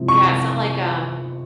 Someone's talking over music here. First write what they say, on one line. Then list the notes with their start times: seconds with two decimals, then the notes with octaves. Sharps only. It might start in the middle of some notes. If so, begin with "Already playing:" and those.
Yeah, it's not like, um,
Already playing: C3 F3 G#3 E4
0.08 C#6